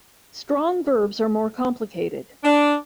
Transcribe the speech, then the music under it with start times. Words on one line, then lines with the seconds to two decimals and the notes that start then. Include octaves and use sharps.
Strong verbs are more complicated.
2.44 D4